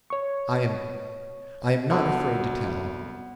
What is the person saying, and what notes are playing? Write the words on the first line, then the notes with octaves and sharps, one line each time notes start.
I am--I am not afraid to tell.
C#5 C#6
C2 D3 B3 F#4